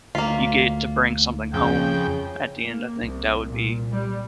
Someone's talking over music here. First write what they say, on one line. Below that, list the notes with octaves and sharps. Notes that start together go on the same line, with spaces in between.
you get to bring something home at the end, I think that would be
D2 A#3 F4 B6 C7
F2 C#3 G5
A#3
C2
A#2
G3